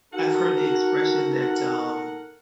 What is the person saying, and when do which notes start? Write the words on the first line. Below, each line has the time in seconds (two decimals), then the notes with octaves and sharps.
I've heard the expression that, um
0.13 D#4 F#4 A4 A#4 F#5